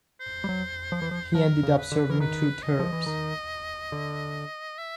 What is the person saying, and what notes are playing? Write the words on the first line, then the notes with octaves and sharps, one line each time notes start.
He ended up serving two terms.
C5
G3
F#3
F3
E3
F3
F3 A#4
C#3
B4
D3
E3 A#4
D#3 B4
D#5
F3
E3
D#3
D3
E5